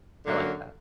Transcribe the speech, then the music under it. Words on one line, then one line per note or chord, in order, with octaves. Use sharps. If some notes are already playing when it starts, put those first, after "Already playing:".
I like that.
F#2 D3 F#3 A#3